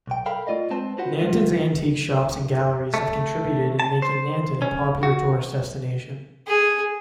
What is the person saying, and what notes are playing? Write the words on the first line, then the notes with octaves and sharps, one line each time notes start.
Nanton's antique shops and galleries have contributed in making Nanton a popular tourist destination.
B1 G5
A4 A#4 F5 G5 B5
A3 F4 D5 D#5
G#3 C4 B4 C5 A5
F4 F#4 B4 C5 F#5
G#3 B3 F4
A3
A5
C5
C#4
F#4
G#4